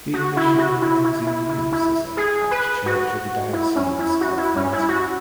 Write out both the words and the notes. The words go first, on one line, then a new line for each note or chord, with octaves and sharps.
The mission remains in use as a parish church of the Diocese of Monterey.
F#4
E4
F#4
E4
E4
E4
E4
E4
G#4
B4
F#4
E4
C#4
E4
F#4
E4
C#4
E4
F#4